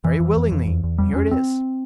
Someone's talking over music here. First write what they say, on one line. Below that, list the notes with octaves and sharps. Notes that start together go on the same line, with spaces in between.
"Very willingly; here it is."
F2 E3
F2
F2
F2
E2
E2
F2 G3
F2 C#4
C4